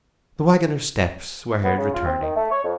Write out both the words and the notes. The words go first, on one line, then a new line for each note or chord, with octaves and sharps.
The waggoner's steps were heard returning.
B3
C#3
F4
C4
D#3
A3
C#5
F2